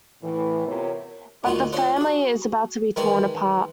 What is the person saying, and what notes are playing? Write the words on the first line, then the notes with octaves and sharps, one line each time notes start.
But the family is about to be torn apart.
A2 E3
C3 B3 F4 A#4 C#5
D2 A#2 D#4 F4 F#4 C6
C#4 D4 F4 C5 D5 F#5
F#4 G#4
D#3 E3 G#3 A#4 D5 C#6